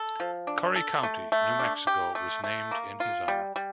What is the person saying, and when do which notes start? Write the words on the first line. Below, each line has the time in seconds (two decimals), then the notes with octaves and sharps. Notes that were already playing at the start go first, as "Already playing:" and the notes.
Curry County, New Mexico was named in his honor.
Already playing: A4
0.20 F3
0.47 D4
0.76 A4
1.03 A3
1.32 A3
1.59 D4
1.87 G4
2.15 A3
2.44 A3
2.71 A#3
3.00 F4
3.28 G3
3.56 G3